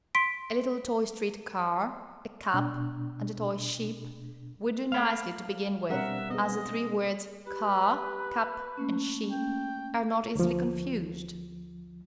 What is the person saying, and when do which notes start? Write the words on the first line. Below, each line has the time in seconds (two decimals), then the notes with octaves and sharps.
A little toy street car, a cap, and a toy sheep, would do nicely to begin with, as the three words, "car," "cap," and "sheep," are not easily confused.
0.15 C6 B6 D7
2.54 B2 D4
4.92 A3 F5 B5
5.90 B2 G3 C4 D4 A#4 E5 F#5
6.30 B3 G#4 D#5
7.47 G4 B4
8.77 A3 A#3 C#4
9.31 G5
10.35 D2 F3